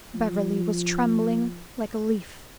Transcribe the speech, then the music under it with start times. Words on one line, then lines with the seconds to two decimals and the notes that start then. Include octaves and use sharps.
Beverly was trembling like a leaf.
0.15 F3